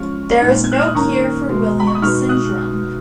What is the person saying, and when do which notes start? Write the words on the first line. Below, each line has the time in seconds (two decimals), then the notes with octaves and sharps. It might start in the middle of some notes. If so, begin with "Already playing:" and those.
There is no cure for Williams syndrome.
Already playing: F3 G#3 C#4 C#6 F6
0.41 A#2 G#3 D#4
0.64 G#6
0.72 F#6
0.80 F6
0.87 D#6
0.95 D#3 A#3 C#4 A#5 C#6
1.49 B2 G#3 B3
1.80 B5
1.87 C#6
1.95 D#6
2.02 B2 G#3 B3 D#4 C#6 F6
2.29 D#6 F#6